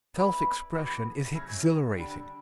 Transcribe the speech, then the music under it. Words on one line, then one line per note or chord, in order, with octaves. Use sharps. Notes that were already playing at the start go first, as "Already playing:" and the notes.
Self-expression is exhilarating.
B3 E4 B4 D5
E3 B3 F#4 A4
C#3 F#3 A3 C#4
D3 G3 D4